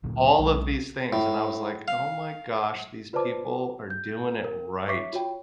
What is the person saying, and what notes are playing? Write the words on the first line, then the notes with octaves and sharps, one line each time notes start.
all of these things, and I was like, "Oh my gosh, these people are doing it right."
D2 A#2 F#3 A#3
B1 G#3
A2
F5
F4 B4 C5 D5 A5 D6
G6
A#4
C#5 E5 C#6 D6 B6 C7
F4 F#4 C#5 G5